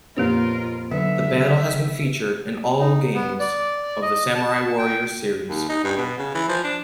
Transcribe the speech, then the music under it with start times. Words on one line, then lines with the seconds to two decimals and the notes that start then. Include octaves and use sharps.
The battle has been featured in all games of the "Samurai Warriors" series.
0.17 F2 A#2 A#3 B3 F4 G4 A#4 C#5
0.91 D3 F#3 B3 E5
2.80 D#4
3.14 B3
3.40 D5
4.02 D#5
4.36 A5
4.78 G5
5.49 D#2
5.69 D#4
5.84 G2
5.98 B2
6.18 C#3
6.34 E3
6.49 F3
6.64 D4